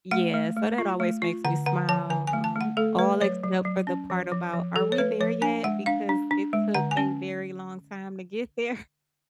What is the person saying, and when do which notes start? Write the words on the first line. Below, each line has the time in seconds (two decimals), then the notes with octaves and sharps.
Yes, so that always makes me smile, um, all except for the part about "are we there yet" because it took a very long time to get there.
0.11 A3 F#5
0.34 A3
0.56 A3
0.78 F4
1.00 A3
1.22 F4
1.44 D3 F#5
1.66 D3 F#5
1.89 F3 A5
2.10 D3 G#5
2.27 G#5
2.33 A3
2.44 A5
2.55 A3
2.61 F#5
2.77 A3 A4
2.99 A3 B4
3.21 F#3 C#5
3.44 F#3
3.65 F#3
3.87 C#4
4.10 F3
4.32 F3
4.54 F3
4.76 F3 A4
4.92 C#5
4.98 A3 B4
5.21 F3 C#5
5.42 D4 G#5
5.64 G#3 F#5
5.86 D4 F5
6.09 D4
6.31 D4
6.53 G#3
6.74 D3 F#5
6.91 G#5
6.97 C#4